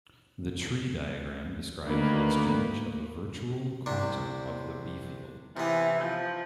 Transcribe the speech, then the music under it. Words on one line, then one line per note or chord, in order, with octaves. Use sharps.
The tree diagram describes the exchange of a virtual quantum of the B-field.
D2 D#3 A#3 B4
C2 C3 D4
C3 E3 B3
F3